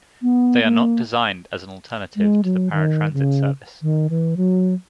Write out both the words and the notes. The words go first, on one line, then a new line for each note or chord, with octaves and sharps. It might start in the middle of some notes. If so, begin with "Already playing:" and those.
They are not designed as an alternative to the paratransit service.
B3
A#3
G#3
F#3
D#3
C#3
D#3
E3
F#3